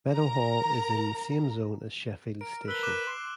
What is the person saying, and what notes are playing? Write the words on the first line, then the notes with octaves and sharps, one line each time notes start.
Meadowhall is in the same zone as Sheffield station.
A#4 A#5
A#4 D7
B4 E6 G7
D6 F#6 E7
C6